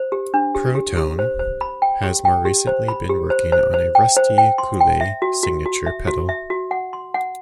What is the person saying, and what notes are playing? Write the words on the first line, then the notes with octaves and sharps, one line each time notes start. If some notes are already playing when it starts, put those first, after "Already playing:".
ProTone has more recently been working on a Rusty Cooley Signature pedal.
Already playing: C5
G4
D4
G4
G4
G4
C5
C5
B5
G5
G4
G5
G4
C5
B5
G4
C5
C5
C5
G5
C5
G5
C6
G5
E5
F#4
F#4
F#4
E5
F#4
E5
F#4
F#5
C6
F#5